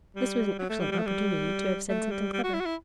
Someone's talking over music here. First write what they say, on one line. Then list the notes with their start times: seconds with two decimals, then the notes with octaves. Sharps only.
This was an excellent opportunity to have said something clever.
0.16 G3
0.59 F#3
0.70 A3
0.80 G3
0.92 G3
0.99 A3
1.06 G3
1.89 A3
2.11 G3
2.33 G3
2.44 F#4
2.54 E4
2.60 F#4
2.66 E4